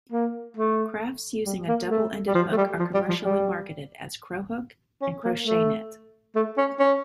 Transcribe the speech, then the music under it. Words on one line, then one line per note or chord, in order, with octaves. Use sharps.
Crafts using a double-ended hook are commercially marketed as Cro-hook and Crochenit.
A#3
A3
G3
A#3
A3
G3
F3
A3
G3
F3
G3
F3
G3
C#4
A#3
A3
A3
C#4
C#4